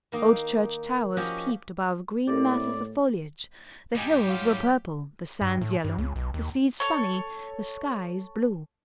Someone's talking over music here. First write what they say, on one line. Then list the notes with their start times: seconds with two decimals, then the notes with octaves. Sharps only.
Old church towers peeped above green masses of foliage; the hills were purple, the sands yellow, the seas sunny, the skies blue.
0.12 D#3 A#3 D#4
1.17 F3 C#4 F#4 G4 D#5
2.27 A2 C4 E4 G4 A4 A#4 D5
3.95 G#2 G3 G4 D#5 G#5
4.29 F#3 F4
5.41 G2
5.61 A2
5.84 G2
5.98 C#2
6.16 B1
6.34 D#2
6.80 A4 C#5